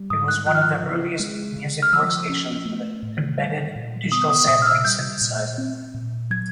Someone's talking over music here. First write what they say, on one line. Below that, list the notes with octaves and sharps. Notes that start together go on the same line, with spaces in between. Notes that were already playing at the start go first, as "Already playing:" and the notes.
It was one of the earliest music workstations with an embedded digital sampling synthesizer.
Already playing: G3
G#2 D#6
F#6
F3 F#6
F6
F#6
C#3
G#3
C#3
F6
F3 E6
C#4
A3
A2
G3
A#2
B3 D#6
D#6
A#2 D#6
F6
E6
G3 G6
A#2
C4
A#2
F#3 G#6